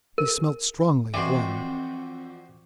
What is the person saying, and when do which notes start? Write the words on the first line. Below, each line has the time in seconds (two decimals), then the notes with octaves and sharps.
He smelt strongly of rum.
0.18 A#4
1.14 F2 E3 F#4 C5 D5 G5